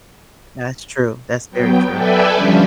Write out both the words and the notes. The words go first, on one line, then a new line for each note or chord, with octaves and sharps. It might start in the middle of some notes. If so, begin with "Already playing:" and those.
That's true, that's very true.
F#3 B3 G5
A4 B4 D5 E5 G5 G#5
D3 F3 G3 C#4